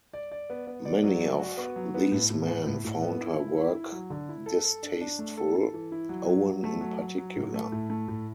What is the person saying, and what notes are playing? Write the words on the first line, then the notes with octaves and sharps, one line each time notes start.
Many of these men found her work distasteful, Owen in particular.
D5
D5
B3
B3
D5
F#3
D5
F#4
B3
F#3
B3
A2
A2
B3
A2
A2
B3
E4
E4
E4
E4
F#3
D3
E4
A4
A4
D4
D4
A3
A4
A4
E3
E4
F#3
F#3
F#3
A3
F#3
F#3
F#3
A2
A3
A2
A3
A2